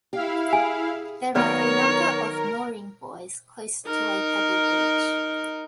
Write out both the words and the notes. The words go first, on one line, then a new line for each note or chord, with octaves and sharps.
There are a number of mooring buoys close to a pebble beach.
E4 G4 F5
G#4 G#5
D#3 F#3 B3 A#4 B4 C#5 D5
D#4 A#4